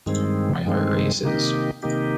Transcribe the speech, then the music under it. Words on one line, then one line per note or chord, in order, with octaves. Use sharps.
My heart races.
G2 D#3 G#3 C4
G2 D#3 G#3 C4
C3 D#3 A#3 D#4 G4
C3 D#3 A#3 D#4 G4